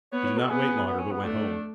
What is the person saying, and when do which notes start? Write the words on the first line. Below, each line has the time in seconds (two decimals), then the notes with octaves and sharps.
He did not wait longer but went home.
0.12 B3 C#5
0.25 C#5
0.38 A4
0.49 B3 G#4
0.86 B3
0.99 C#4
1.11 B3
1.24 A3 D4